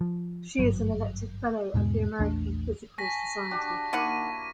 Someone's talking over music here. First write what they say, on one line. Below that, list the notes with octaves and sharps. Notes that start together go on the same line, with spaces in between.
She is an elected fellow of the American Physical Society.
F3
G#1 G2 F#3
E2 G#2 B2 G#3
A#1 E2 A3 D4
G#5 A5 C#6 A#6 B6
D4 F#4 G4 A5
D#3 A#3 E4 F#5 C#6 D#7